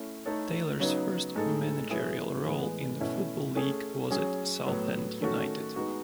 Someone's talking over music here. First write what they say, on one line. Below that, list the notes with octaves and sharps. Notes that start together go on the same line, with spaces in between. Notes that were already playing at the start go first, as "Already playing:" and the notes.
Taylor's first managerial role in the Football League was at Southend United.
Already playing: A3 C#4 E4
A3 D#4 A4 C#5
C#3 F#3 B3 D#4
A2 G#3 D#4 A4
F#3 B3 E4 G#4
A2 E3 G#3 B3
B2 A3 C#4 E4
A3 C#4 G#4
F#3 C#4 G#4
A2 F#3 B3
D#3 A3 C#4 F#4 A4
G#3 B3 D#4 F#4